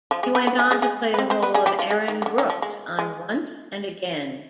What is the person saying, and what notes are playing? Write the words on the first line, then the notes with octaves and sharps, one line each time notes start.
He went on to play the role of Aaron Brooks on "Once and Again".
F3 F4
G#3 G#4
B3 B4
B3 B4
G#3 G#4
G#3 G#4
G#3 G#4
B4
C4 C5
C4 C5
B3 B4
G#3 G#4
G3 G4
F3 F4
G#3
D#3
D#3
D3
D#3
F3
G#3
G#3